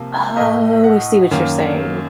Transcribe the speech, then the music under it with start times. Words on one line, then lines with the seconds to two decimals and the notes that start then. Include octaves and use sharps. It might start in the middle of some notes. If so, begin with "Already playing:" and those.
Oh, I see what you're saying.
Already playing: C3 F3 A#3
0.37 A2 A3 D#5
0.84 F#5
1.31 F#2 D#3 A#3